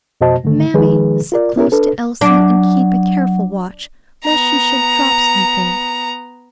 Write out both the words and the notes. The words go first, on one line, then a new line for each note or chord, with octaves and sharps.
"Mammy, sit close to Elsie and keep a careful watch, lest she should drop something."
F2 B2 F#4 C5 D#5 A5
G#2 D3 D#3 A3
D#3 F3 G#3 D#4 G#4 B4
F4 A#4 D5
B3 E4 G4 A#4
D4 A4 B4
F#3 D4 F#5
B3 A#5